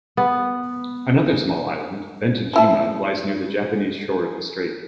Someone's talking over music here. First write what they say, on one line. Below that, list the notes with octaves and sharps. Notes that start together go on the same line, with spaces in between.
Another small island, Bentenjima, lies near the Japanese shore of the strait.
B3
F3 E4 A5